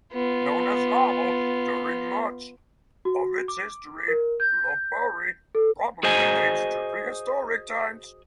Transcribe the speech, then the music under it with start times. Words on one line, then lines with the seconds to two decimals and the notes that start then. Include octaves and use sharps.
Known as Lavo during much of its history, Lopburi probably dates to prehistoric times.
0.13 B3 F4
3.05 F#4
3.48 D6
4.08 A#4
4.40 G6
5.55 A4
6.03 F#4 G#4 C5 D#5 G#5